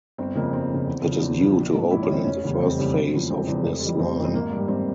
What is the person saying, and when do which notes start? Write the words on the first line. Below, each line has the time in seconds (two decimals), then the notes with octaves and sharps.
It is due to open in the first phase of this line.
0.18 G1 C4
0.35 F2 C#3 A#3
0.53 G1 C4
0.70 F2 C#3
0.87 E2
1.05 C#3 F3
1.22 E2
1.40 C#3 F3
1.57 A#1
1.74 G#2 F3
1.91 A#1 E4
2.02 C#4
2.09 G#2 F3 C4
2.24 F1 C#4
2.43 E2 C#3 E3 G3
2.60 F1 C4
2.78 E2 C#3 E3 G3
2.95 E1
3.12 E2 C#3 F3
3.30 E1 C4
3.47 E2 C#3 F3
3.65 F1
3.81 F2 E3 G3
3.99 F1 C4
4.17 F2 E3 G3
4.24 C4
4.33 G#1 A#3
4.51 G2 G3
4.68 G#1 C4